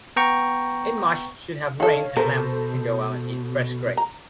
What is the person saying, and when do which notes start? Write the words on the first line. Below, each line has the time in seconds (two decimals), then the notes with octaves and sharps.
In March should have rained and lambs can go out and eat fresh graze.
0.16 B3 G5 A#5 C#6
1.80 D#3 A4 C#5 F5
2.17 B2 A4 A#4 C5
3.97 A#5